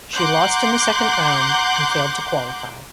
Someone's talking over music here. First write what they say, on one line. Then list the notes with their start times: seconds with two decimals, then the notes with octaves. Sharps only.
She lost in the second round and failed to qualify.
0.15 F#5 A#5 C6 D6 F#6 G6